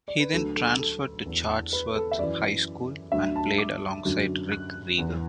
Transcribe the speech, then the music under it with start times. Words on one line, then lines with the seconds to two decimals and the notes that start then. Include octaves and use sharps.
He then transferred to Chatsworth High School and played alongside Rick Rieger.
0.08 D5
0.20 B4
0.33 D2 D3 F#3 A4
0.56 A4
0.79 A4
1.26 E2 E3
1.73 B4
1.96 A4
2.11 E5
2.19 F#2 E3 D5
3.12 D2 D3 F#3 E5
3.36 A5
3.58 D6
4.05 F#2 D3 F#3
4.52 F#6
4.98 E2 E3